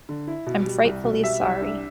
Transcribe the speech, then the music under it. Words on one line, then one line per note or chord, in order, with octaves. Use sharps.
I'm frightfully sorry.
D3
E4
B2
G3
C2
B2
G3 E5
C2
D4